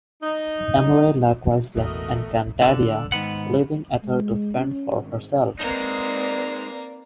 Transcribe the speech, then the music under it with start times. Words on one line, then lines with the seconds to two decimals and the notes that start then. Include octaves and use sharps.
Emre likewise left Encantadia, leaving Ether to fend for herself.
0.23 D#4
1.76 E1 A1 E2 A3 E4 F#4 A#4 D#5
2.62 D3
3.12 G#2 D#3 B3 F#5
4.03 G#3
4.57 C#4
5.00 G#1
5.59 G#3 A#3 C4 D#4 B4 D5